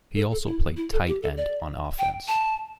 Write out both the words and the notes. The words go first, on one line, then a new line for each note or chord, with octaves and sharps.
He also played tight end on offense.
A4
A4
E4
E4
A4
G4
A4
D5
G5
A5